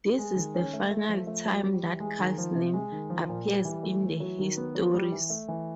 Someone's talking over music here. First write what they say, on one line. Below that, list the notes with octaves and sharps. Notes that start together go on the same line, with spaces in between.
This is the final time that Kal's name appears in the histories.
G#3
D#3
C#4
A3
A3
F3
A3
F#3
G3
E3
G#3
D#3
F3
C3
G#3
D#3
F3
A#2
G3
E3
A3
E3
F#3
D#3
B3
F#3
G3
E3
A3
E3